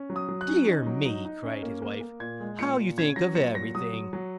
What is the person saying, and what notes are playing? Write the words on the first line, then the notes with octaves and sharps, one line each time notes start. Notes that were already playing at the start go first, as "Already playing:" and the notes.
'Dear me!' cried his wife, 'how you think of everything!
Already playing: C#4
F#3
D#6
F#3
F#6
C#4
D#4
F#3
D#4
D#4
C#4
A#3
A#3
A#3
A#2 G#6
G#3
A#2 C#7
A#2
C#4 G#6
F#3 A#6
A#2 C#7
F#3 A#6
F#3 D#6
F#3
F#3